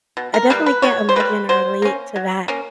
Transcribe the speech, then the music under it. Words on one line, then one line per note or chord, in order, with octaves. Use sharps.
I definitely can't imagine or relate to that-
B2
A#4
G3 A#3 B4
B4
B2 C#5
C5
G3 A#3 B4
F#3 C5
A#3 C#4
F#3
A#3 C#4